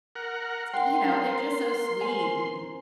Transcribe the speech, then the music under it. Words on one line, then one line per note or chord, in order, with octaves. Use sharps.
t you know, they're just so sweet, and,
A#4 F#5
A#4 F#5 G5 C6
C5 G#5